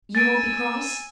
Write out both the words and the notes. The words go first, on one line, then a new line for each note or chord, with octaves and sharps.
"You won't be cross?"
G#5 E6 A6 D7